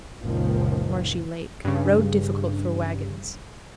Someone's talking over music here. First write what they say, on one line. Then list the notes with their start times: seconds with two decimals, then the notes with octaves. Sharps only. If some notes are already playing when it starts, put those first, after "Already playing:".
Marshy Lake.--Road difficult for wagons.
0.21 F#1 C#2 A#2 D#3 F3
1.64 G2 C#3